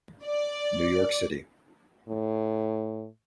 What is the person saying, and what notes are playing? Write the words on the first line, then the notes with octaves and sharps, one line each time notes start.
New York City.
D5
A2